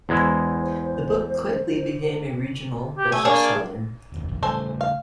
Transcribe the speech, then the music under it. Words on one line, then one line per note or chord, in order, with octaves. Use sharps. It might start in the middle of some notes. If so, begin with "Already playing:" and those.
The book quickly became a regional bestseller.
E2 G#3 E4 C5
G4
A3 G#5
A#3 D4 G#4 C#5
F1 D#2
A#1 E2
C#3 G3 A3 A4 C5 G#5
F5